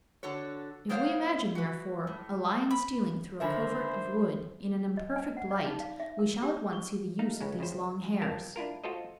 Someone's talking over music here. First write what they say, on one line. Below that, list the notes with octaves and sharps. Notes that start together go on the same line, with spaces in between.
If we imagine, therefore, a lion stealing through a covert of wood in an imperfect light, we shall at once see the use of these long hairs.
D3 F#4 A4 C#5
A#3 B3 C5 C#5 F5
F#4 B4
A2
B5
D3 D#3 A#4 C5 E5 G#5 B5
D#5
G#5
F#5
D5
D#4
F5
E5
A#4
G4
C#6
A3 D#4 F5
C#2 A2 C#3 G#3
F2 C#3 E4 C5
F2 A#4 A5
D4 E4 F4 A#4
F4 F#4 A4 C5 D#5